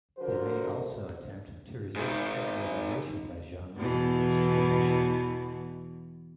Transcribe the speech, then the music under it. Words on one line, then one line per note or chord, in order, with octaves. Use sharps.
They may also attempt to resist categorization by genre and fixed formation.
D3 F3 F#4 A#4 C5
G#2 D#3
E2 B2 E3